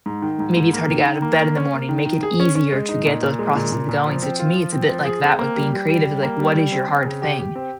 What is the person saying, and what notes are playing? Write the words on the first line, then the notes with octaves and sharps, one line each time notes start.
maybe it's hard to get out of bed in the morning, make it easier to get those processes going, so to me, it's a bit like that with being creative, like, what is your hard thing?
G#2
D#3
G#2
G#2
A#3
D#3
D#3
A#3
A#3
C#4
A#3
D#3
D#3
G#4
C#4
C#4
G#3
D#4
A#2
A#2
G#3
A#2
A#2
A#2
F3
C4
F4
F3
C4
F3
G#4
C4
A#3
G3
G3
G3
G3
A#3
G3
G3
C4
C4
C#3
G4
G4
C4